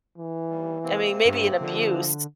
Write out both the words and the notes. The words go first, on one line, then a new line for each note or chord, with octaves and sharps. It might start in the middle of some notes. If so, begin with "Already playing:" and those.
I mean, maybe an abuse.
E3
D#2 G3
C3 A#3 C4
G2
D3 F3